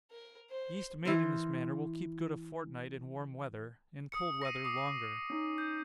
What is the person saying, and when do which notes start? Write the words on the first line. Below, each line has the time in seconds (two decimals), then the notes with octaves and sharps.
Yeast made in this manner will keep good a fortnight in warm weather; in cold weather longer.
0.11 A#4
0.50 C5
1.05 E3 A#4 C5
4.12 D#6 C#7
4.42 A#6 C7 D#7
4.65 D6 D#6 C7
5.30 C#4 D#4
5.58 G6